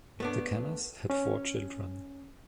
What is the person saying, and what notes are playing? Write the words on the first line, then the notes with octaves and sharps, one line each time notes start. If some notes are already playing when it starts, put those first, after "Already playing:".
The Kennas had four children.
A3 B3 D4
C#4